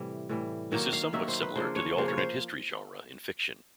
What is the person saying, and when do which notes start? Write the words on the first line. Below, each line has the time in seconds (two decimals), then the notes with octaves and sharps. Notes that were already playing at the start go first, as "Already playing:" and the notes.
This is somewhat similar to the alternate history genre in fiction.
Already playing: A2 C3 E3 G3
0.29 A2 E3 G3
0.72 D#3 F#3 A#3 G5
0.93 F5
1.13 D#3 F#3 A#3 E5
1.28 C5
1.42 B4
1.56 C#3 F3 A#3 D4 C5
1.76 C#5
1.97 C#3 F3 A#3 D4 C5
2.08 C#5
2.18 C5